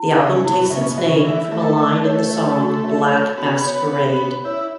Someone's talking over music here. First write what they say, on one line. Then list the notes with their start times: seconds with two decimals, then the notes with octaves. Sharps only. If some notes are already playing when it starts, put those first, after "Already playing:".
The album takes its name from a line in the song "Black Masquerade".
Already playing: E4
0.17 C#3 E5
0.44 B2 E4
0.70 C#3 E5
0.89 B2
0.98 E5
1.06 C#3
1.24 E3 E5
1.51 A3 E5
1.77 A3 E5
2.04 A3 C#5
2.31 E5
2.58 F#4
2.84 E5
3.11 C#5
3.38 B3 F#4
3.64 C#5
3.91 C#4
4.18 C#5
4.44 E4 C#5